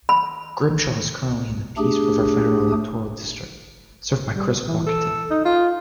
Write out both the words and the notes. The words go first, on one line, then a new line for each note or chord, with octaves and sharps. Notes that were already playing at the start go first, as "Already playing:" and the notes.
Grimshaw is currently in the Peace River federal electoral district, served by Chris Warkentin.
B5
A3 D4 G4 G#4
G3
E3
A4
D#4
F4